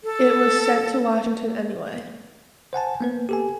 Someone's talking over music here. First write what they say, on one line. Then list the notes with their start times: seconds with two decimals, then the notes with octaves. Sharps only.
It was sent to Washington anyway.
0.04 A4
2.73 C5 F#5 G#5 A5
3.01 A#3 B3 B4
3.29 G4 A4 G#5